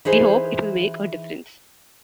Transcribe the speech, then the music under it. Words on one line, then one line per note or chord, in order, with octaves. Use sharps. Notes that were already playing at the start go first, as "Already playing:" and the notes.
We hope it will make a difference.
E3 D#4 G#4 C5